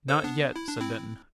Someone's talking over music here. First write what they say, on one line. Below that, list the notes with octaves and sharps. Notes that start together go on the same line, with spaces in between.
"Not yet," said Denton.
A4 C5
B3 D4
E4
D4
C4 E4